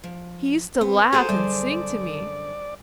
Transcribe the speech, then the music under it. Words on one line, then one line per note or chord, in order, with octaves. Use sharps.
He used to laugh and sing to me....
F3
B3 C4
F#4 G#4 A4 C5 D5 A#5
F#2 D3 G3 D5 A5